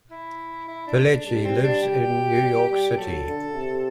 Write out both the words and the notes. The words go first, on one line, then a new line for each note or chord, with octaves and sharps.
Pileggi lives in New York City.
E4
E4
D4
D4
G3 D4
C4
D4
G4
G3
G3
F#3 A4
D3
C3